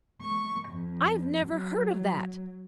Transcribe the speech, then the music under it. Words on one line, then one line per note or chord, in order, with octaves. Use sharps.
I've never heard of that.
C#6
F2
F#3